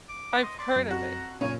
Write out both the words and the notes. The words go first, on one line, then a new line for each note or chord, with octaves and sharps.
I've heard of it.
D6
D#5 C6 D#6
D5 C6 D6
F#2
F2 F#4 A#5
F#2 A#2 C#3 C#5 G#5